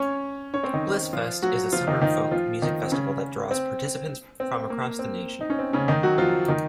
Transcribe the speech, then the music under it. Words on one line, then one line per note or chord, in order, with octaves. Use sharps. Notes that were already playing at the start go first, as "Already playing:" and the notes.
Blissfest is a summer folk music festival that draws participants from across the nation.
Already playing: C#4 C#5
C#4 C#5
C4 C5
D#3 D#4
F3 F4
F#3 F#4
F3 F4
D#3 D#4
D#3 D#4
F3 F4
D#3 D#4
C4
C#3 C#4
C4
C4
A#3
C4
D#4
C#4
C4
C#3 C#4
D#3 D#4
F#3 F#4
F3 F4
D#3 D#4